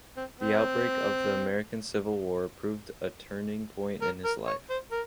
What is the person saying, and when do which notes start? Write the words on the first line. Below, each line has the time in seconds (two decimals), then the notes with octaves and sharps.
The outbreak of the American Civil War proved a turning point in his life.
0.17 C4
0.40 C4
4.02 A#4
4.25 A#4
4.47 C#5
4.70 C5
4.92 A#4